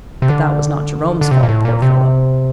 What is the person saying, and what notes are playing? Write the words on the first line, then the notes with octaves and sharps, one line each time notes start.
But that was not Jerome's fault, poor fellow!
C3
D3
D3
C3
A#2
A2
A#2
C3